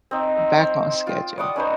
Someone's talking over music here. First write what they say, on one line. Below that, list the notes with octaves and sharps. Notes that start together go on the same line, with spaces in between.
back on schedule.
C4 D#4
C5
F4 G5
D5 F#5 D6 D#6
C#4 D#4 B4 C5